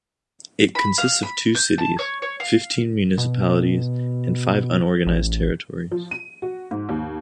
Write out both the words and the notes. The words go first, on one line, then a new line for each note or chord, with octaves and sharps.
It consists of two cities, fifteen municipalities, and five unorganized territories.
B5
F5
B5
G6
A5
C#5
C#5
F5
B2
A1
F3
D#7
F#4
G#2
D#2